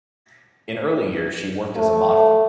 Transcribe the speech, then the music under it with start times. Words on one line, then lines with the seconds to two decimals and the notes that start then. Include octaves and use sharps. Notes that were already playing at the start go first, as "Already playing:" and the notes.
In early years she worked as a model.
1.77 A3